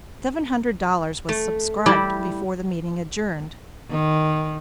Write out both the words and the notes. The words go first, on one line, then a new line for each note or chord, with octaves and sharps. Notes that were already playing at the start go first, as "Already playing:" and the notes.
Seven hundred dollars was subscribed before the meeting adjourned.
A3
G3 E4 G4
D#3